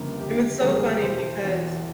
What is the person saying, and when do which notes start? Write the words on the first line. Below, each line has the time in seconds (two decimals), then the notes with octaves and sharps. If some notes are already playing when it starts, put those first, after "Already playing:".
And it's so funny because
Already playing: G1 F2 C#3 G3 A#3
0.20 G1 G4
0.61 F2 C#3 G3 A#3 G#4
1.03 E1 C5
1.43 E2 E3